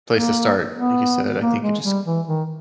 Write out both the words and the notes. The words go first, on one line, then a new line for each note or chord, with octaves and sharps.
place to start. Like you said, I think you just
A#3
B3
A#3
G#3
G3
E3
D#3